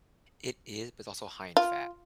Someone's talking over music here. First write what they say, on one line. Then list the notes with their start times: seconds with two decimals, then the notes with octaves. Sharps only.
It is, but it’s also high in fat.
1.57 F4